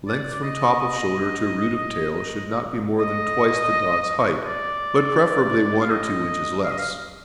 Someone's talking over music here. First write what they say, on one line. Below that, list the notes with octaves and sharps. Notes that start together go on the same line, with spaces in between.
Length from top of shoulder to root of tail should not be more than twice the dog's height, but, preferably, one or two inches less.
D5
D5
D#5
D#5
D#5
D5
F5
D#5
F5
D#5
F5